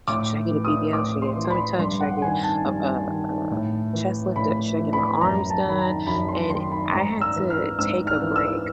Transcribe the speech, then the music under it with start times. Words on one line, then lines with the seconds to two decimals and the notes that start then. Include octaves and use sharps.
"Should I get a BBL? Should I get a tummy tuck? Should I get a a a chest lifted? Should I get my arms done?" And I had to take a break
0.08 A2 D6
0.50 E3
0.65 D#6
0.93 A2 D6
1.22 C6
1.36 E3
1.44 C6
1.50 B5
1.79 G2 C6
2.01 F#5
2.22 D#3 G#5
2.43 A5
2.65 G2
3.08 D#3
3.50 A2
3.93 E3
4.36 A2 B5
4.79 E3
4.93 B5
5.21 F#2 A#5
5.50 A5
5.64 D#3 B5
5.78 A#5
6.07 F#2 B5
6.29 C6
6.50 D#3 C6
6.72 B5
6.93 G#2 A#5
7.21 E6
7.36 E3
7.50 F6
7.79 G#2 E6
8.07 F6
8.22 E3
8.36 E6